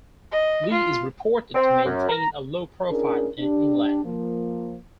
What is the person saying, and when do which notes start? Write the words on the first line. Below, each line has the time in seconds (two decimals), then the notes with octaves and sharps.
Lee is reported to maintain a low profile in England.
0.32 D#5
0.71 F4
1.54 C4
1.85 F#2
2.09 A#5
2.89 C#4 D4 E4 G#4 A#4
3.39 D4 G4
4.05 F3 A#3